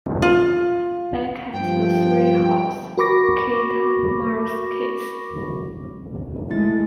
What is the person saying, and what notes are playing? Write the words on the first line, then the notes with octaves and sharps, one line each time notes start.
Back at the treehouse, Kate and Mars kiss.
F4
G2 F3 G5
F#4 A#4 B5 C#6 D6 A#6
G#3 A3 E4 A6